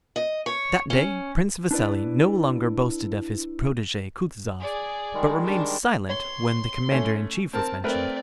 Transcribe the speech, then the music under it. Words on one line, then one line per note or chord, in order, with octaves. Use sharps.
That day Prince Vasili no longer boasted of his protege Kutuzov, but remained silent when the commander-in-chief was mentioned.
D#5
C#5
C#4
D4 E4 B4 D5
G#4 D5
D#3 G3 G#3
D4
C#5 C6
A3 C#4
C4 A#4 A5
A3 C4 A#4 B4 D5